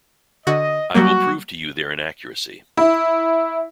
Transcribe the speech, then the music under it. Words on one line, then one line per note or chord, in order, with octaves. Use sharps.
I will prove to you their inaccuracy.
D3 F#4 D#5
F#3 G3 A#3 F#4
E4